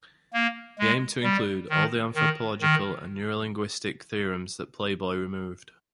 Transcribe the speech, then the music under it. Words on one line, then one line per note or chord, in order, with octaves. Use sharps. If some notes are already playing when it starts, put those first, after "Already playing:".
He aimed to include all the anthropological and neurolinguistic theorems that "Playboy" removed.
A#3
G#3
G3
D#3
D#3
D#3